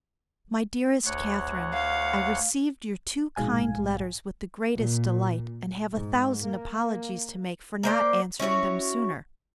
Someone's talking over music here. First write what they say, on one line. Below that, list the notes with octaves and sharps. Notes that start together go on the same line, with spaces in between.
My dearest Catherine, I received your two kind letters with the greatest delight, and have a thousand apologies to make for not answering them sooner.
D2 C#5 F#5
F5
A#1 G#2 B2 G#3 F5 G#5
A#2
G#2
A#3
A#3 C5 D5
C#4 E4 F#4 C#5